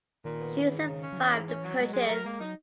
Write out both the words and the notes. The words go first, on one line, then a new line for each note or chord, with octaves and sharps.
She survived the purges.
A#2 D#3
B3
E3
G#2
C#3
C#4
F#3
E3 E4
G#2
C#4
F#3
B2 G#3
F#3 G#3
F#3 A#4
G#3 A#3
F#3 D#4